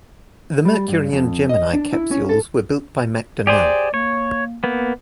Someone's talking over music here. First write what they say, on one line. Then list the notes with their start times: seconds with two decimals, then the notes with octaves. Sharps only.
The Mercury and Gemini capsules were built by McDonnell.
0.65 G3
0.88 G2
1.13 F2
1.49 D#5
1.73 D4
1.93 E4
2.11 C#4
2.29 A4
3.47 G4 G#4 C5 D5
3.94 A#3 C#5
4.64 A#3 B3